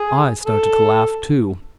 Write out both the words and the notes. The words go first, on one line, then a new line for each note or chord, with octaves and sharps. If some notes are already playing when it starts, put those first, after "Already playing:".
I started to laugh, too.
Already playing: G#4
A4